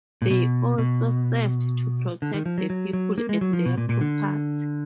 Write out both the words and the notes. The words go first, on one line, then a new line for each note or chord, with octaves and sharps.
They also served to protect the people and their property.
A#2
B2
B2
D3
D#3
F3
F#3
F#3
F#3
A#3
G#3
F#3
F3
B2
A#2
A#2
D3